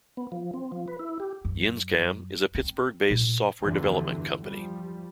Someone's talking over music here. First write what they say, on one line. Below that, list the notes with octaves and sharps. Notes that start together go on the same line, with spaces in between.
YinzCam is a Pittsburgh-based software development company.
B3
F3
C4
F3
B4
E4
G4
F#2
C4
A#2
E2 G2 D3 E3 F3
F3 G3